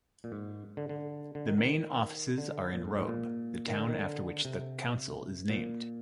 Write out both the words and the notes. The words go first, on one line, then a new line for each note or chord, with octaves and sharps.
The main offices are in Robe, the town after which the council is named.
A#2
G#2
D3
D3
D3
D#3
D#3
D3
A#2
G#2
G#2
A#2
D#3
D3
D#3
D3
C3
A#2